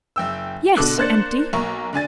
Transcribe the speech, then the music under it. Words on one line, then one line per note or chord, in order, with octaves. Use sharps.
'Yes, empty.
F#1 G5 E6
B2 D3 A4 D6 F#6
A#3 D4 C5 F#6 A6 C#7
B1 A#3 A#5 C#6
D3 D4 G#5 A6